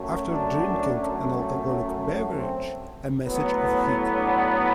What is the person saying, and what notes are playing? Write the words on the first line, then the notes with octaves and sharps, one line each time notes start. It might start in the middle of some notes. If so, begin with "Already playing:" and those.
After drinking an alcoholic beverage, a message of Hic!
Already playing: F#2 F#3 A3
D4
C4
A2 F#3 B3
D4